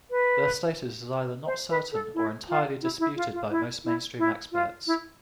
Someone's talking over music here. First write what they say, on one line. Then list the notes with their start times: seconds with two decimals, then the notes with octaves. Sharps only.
Their status is either not certain or entirely disputed by most mainstream experts.
0.10 B4
1.46 C5
1.70 B4
1.92 A4
2.14 E4
2.48 F4
2.82 E4
2.99 E4
3.16 F4
3.33 F4
3.50 E4
3.84 E4
4.18 E4
4.52 F4
4.87 E4